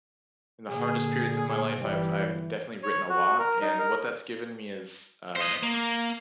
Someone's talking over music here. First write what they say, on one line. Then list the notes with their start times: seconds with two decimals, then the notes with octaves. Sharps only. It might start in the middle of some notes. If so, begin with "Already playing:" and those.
in the hardest periods of my life, I've I've definitely written a lot. And what that's given me is, uh,
0.70 A#2 D3 G#4
1.81 G1 E3 G3
2.83 C#5
3.09 F#4
3.40 A#4
3.62 D#4
3.79 A#4
5.36 C5 D#5
5.63 A#3